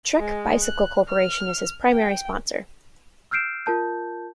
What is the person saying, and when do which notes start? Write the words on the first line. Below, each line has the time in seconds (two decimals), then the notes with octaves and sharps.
Trek Bicycle Corporation is his primary sponsor.
0.18 G#3
0.62 F#6
1.08 F6
1.92 G5
3.31 E6 F6 G6 C7 D7 E7
3.66 F4 A#4 A5 G6